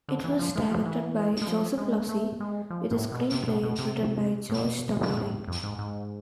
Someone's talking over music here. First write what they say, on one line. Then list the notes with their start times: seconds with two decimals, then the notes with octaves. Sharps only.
It was directed by Joseph Losey, with a screenplay written by George Tabori.
0.08 D3
0.24 E3
0.39 F3
0.56 G#3
0.71 F3
0.86 E3
1.42 G#3
1.48 F3
1.78 G#3
2.09 A3
2.40 G#3
2.70 F3
2.91 A2
3.12 B2
3.32 C3
3.48 B2
3.63 B2
3.78 C3
4.50 A2
4.55 B2
5.11 B2
5.17 A2
5.48 F2
5.63 G#2
5.79 G#2